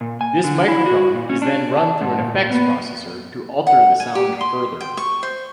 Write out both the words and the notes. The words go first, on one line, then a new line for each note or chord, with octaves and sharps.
This microphone is then run through an effects processor to alter the sound further.
A#2
G#5
D3
E4
F#4
A#2
C#4
D4
A5
G#2
A#2
B3
F#5
G#5
G4
C6
G5
C#6
C5